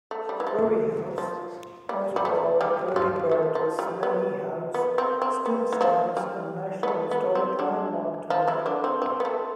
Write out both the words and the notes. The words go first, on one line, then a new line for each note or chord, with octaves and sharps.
Curry House, also called the Curry-Burt-Smelley House, still stands, a National Historic Landmark today.
A3
G3
E3
F3
F3
G3
G3
A3
G3 G4
F3 F4
A3
F3
G3
B3
B3
C4
C4
B3
E3
F3
G3
B3
A3
B3
C4
D3 D4
F3 F4
E3 E4
D3 D4
C4
C4
B3
A3